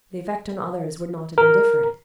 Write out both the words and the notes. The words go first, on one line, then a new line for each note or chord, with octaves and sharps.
The effect on others would not have been different.
A#4